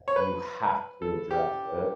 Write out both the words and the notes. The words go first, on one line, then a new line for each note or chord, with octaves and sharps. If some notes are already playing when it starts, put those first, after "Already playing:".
you have to address it.
C#5
B4
A4
G4